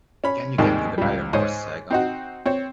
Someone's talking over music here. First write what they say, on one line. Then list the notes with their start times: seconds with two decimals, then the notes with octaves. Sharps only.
Can you get me the Maldeamores saga?
0.24 C#4 B5
0.58 D#2 G#2 D#3 G3 A#3 C4
0.98 C#2 G3
1.33 G#2 C5 C#5 D#5
1.91 C4 D#4 F#4
2.46 C4 C#5